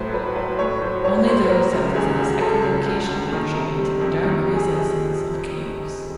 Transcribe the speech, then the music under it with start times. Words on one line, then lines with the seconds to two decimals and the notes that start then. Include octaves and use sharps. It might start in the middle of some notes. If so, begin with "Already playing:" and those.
Only those that possess echolocation venture into the dark recesses of caves.
Already playing: A2 F#3 B4 C5
0.13 F#3 B4
0.36 F#3 B4
0.59 A2 C#5
0.82 F#3 C5
1.04 F#3 C#5
1.19 C#5
1.27 A2 C5
1.45 B4
1.49 F#3 A#4
1.73 C#2
1.92 G4
1.95 C#2 G#4
2.18 F#3
2.41 C#2 A4
2.64 C#2
2.86 C#2
3.09 F#3
3.32 D#3
3.55 C3
3.78 G3
4.01 F2
4.23 D#3
4.46 G3
4.54 G#4